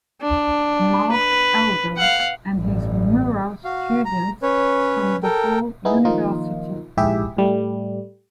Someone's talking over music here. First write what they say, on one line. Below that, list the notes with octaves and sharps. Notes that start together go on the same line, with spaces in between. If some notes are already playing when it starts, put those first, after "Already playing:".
Mark Elder and his mural students from DePaul University.
D4
B4
F5 F#5
A1 G2
F#4 F5
A#5
C#4 B4 C#5
A4 A#4 G5
B3 D#4 E4 G#4
D#3 F3 A#3 D#4 F4
A#1 G#2 E4 G4 G#4 E5
A2 G3 A3